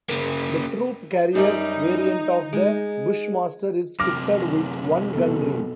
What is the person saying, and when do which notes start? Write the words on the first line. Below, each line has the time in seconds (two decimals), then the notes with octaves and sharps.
The troop carrier variant of the Bushmaster is fitted with one gun ring.
0.10 C#3 A#3
1.35 F#2 G3 D#4
2.53 G#3
4.00 F#2 C3 D6 F6 A#6
5.13 B2 A4